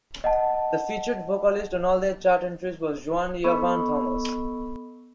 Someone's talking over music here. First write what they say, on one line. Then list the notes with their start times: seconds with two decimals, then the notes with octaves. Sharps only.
The featured vocalist on all their chart entries was Joanne "Yavahn" Thomas.
0.24 D#5 F#5 A5
3.44 B3 A4 D#5 B5 C#6 E6